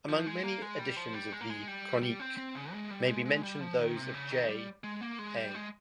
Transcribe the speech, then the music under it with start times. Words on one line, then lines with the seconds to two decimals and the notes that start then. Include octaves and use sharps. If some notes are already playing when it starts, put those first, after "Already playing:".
Among many editions of the "Chronique" may be mentioned those of J.-A.
0.09 F3
0.27 G#3
0.43 A#3
0.62 G#3
0.79 G3
0.96 F3
1.14 G3
1.32 G#3
1.41 A#3
1.50 G#3
1.68 G3
2.02 G3
2.20 C4
2.37 C4
2.55 C#3
2.73 G#3
2.91 G3
3.08 G#3
3.25 G#3
3.43 G3
3.60 F3
3.79 D#3
3.96 C3
4.14 C#3
4.31 D#3
4.49 G3
4.84 G#3
5.01 A#3
5.19 G#3
5.36 G3
5.55 G#3